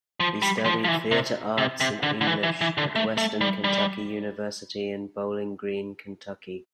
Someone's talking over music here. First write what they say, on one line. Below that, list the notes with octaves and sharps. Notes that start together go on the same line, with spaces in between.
He studied Theatre Arts and English at Western Kentucky University in Bowling Green, Kentucky.
F3
G3
F3
F3
E3
C3
C3
C3
D3
D3
E3
E3
E3
D3
A3
A3
G3
G3